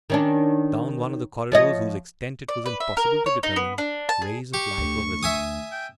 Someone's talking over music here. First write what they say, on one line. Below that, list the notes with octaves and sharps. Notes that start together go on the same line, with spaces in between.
Down one of the corridors, whose extent it was impossible to determine, rays of light were visible.
D#3 C#4 D4
F3 C#5 D#5
D5
B4
E5
A#4
C#5
D#4
B3
D4
A5
G#4
G4 C#6
D2
E5 G#5 D#6
G5